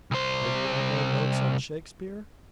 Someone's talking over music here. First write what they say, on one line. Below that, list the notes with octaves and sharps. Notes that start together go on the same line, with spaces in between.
Have you any more notes on Shakspeare?
C2 C5